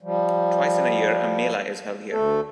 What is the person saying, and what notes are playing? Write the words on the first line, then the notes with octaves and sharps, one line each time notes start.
Twice in a year a mela is held here.
F3 G3
D2 A3 A4